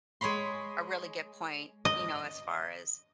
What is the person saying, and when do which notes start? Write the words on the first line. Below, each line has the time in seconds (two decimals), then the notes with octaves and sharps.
a really good point, you know, as far as
0.21 G#3 G#4 C#5 B5 C6
1.85 D#5